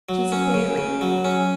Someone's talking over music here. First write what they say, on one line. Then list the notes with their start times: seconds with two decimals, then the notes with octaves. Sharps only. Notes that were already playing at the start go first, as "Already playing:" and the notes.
She's a fairy.
0.09 F#3
0.32 C#4
0.54 C#3
0.78 C#3
1.01 F#3
1.25 C#4